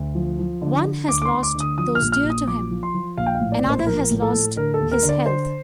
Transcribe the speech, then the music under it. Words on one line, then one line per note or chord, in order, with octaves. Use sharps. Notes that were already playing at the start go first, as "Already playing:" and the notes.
One has lost those dear to him, another has lost his health.
Already playing: D2
F3
F3
D3
D3
D2 D6
D6
C6
D2
D6
D3
D#6
F3 D#6
F6
A#1
F6
A#1
D#6
F3 D6
F3
C6
F3
A#1 F5
G5
F5
A2
D5
A#1
C5
F3 A#4
A2
A4
A2
D3 A#4
A4
D#2
A#4
D3
D5
D3 C5